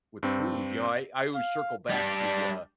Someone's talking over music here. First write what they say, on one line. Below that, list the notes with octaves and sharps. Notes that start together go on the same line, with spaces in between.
with food, you know, I I always circle back to, uh,
G2 C4
F5
G3 D4